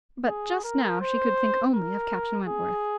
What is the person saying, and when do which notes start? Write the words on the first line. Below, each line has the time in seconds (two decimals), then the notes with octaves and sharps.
But just now she could think only of Captain Wentworth.
0.27 G#4
0.64 A#4
1.01 C5
1.74 A#4
2.47 G#4